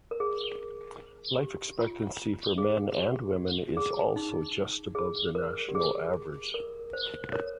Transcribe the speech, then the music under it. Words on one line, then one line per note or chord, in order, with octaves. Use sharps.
Life expectancy for men and women is also just above the national average.
A#4
G#4
G4
F4
G#4
G4
G#4
D#4
G#4
A#4
G4
G#4
A#4
C5
A#4 C#5